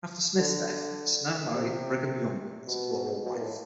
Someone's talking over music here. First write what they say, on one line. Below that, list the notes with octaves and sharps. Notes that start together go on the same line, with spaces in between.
After Smith's death, Snow married Brigham Young as a plural wife.
D3
C3
B2
B2
A#2
A2